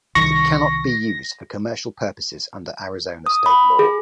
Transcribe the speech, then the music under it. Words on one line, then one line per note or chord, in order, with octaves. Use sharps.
It cannot be used for commercial purposes under Arizona state law.
C2 D#3 C#6 A#6
D#6
B5
G#4